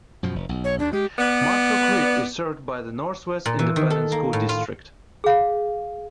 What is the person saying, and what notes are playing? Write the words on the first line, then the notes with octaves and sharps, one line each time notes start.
Marshall Creek is served by the Northwest Independent School District.
F#2 B2 F3
F1
B1
C#5
D#2 D4
G#3 G4
B3 D5
A#2
E3
D#3
A4
A#3
A2
F4
G#4 F5